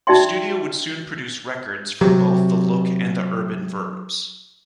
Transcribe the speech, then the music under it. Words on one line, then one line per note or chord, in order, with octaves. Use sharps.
The studio would soon produce records for both the Look and the Urban Verbs.
D#4 F#4 D5 E5 G5 C6
C3 F#3